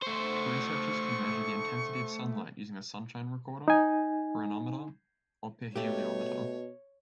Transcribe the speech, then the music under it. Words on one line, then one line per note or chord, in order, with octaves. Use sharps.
Researchers can measure the intensity of sunlight using a sunshine recorder, pyranometer, or pyrheliometer.
A3 C5 C#6
D#4 G#5
B2 A3 G4 C#5